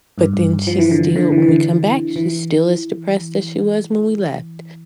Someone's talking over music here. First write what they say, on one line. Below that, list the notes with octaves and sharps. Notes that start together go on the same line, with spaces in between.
But then, she's still when we come back, she's still as depressed as she was when we left.
G2
G2
F3
E3
D3
D3
E3
E3
D3
E3